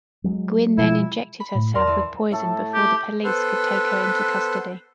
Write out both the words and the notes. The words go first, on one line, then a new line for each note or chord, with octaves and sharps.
Gwyn then injected herself with poison before the police could take her into custody.
F#3 G#3
B2 F3 G#3 E4
B5
A2
E2 A#4 D5 A5 C6
E3
A2 A3 A4
G4
B3 A4 B4 C5